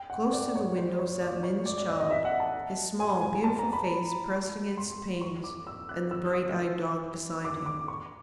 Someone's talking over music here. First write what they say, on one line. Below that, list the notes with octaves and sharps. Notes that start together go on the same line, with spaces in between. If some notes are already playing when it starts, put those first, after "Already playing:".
Close to the window sat Min's child, his small, beautiful face pressed against the panes, and the bright-eyed dog beside him.
Already playing: G5
F#5
D5
C#5
C5
C#5
D5
C#5
D5
D5
D#5
D#5
E5
F#5
A5
G#5
G#5
A5
A#5
B5
C6
C#6
D6
E6
F#6
E6
D#6
D6
D6
C#6